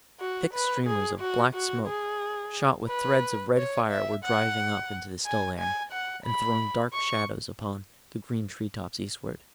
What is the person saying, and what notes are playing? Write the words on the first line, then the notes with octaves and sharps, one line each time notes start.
Thick streamers of black smoke shot with threads of red fire were driving up into the still air, and throwing dark shadows upon the green treetops eastward.
F#4
B4
G#4
F#4
F#4
G#4
B4
C#5
E5
F#5
G#5
G#5
F#5
B5
C#6